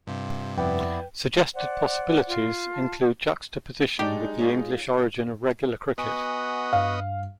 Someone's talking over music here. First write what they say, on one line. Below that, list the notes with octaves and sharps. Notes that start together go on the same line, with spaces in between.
Suggested possibilities include juxtaposition with the English origin of regular cricket.
G2 C3 F4
F2 B3 E4 B4 D5 G5
C5 D5 F#5
F4
A5
F#3 G#3 D4 D#4 G4
F4 G#4 C#5
B3 F#4 D#5 F#5 G#5
G2 F5